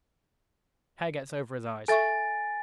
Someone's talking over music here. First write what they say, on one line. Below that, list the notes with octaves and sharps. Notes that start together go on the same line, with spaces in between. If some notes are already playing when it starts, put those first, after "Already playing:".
Hair gets over his eyes.
A4 E5 G#5 C#6 A6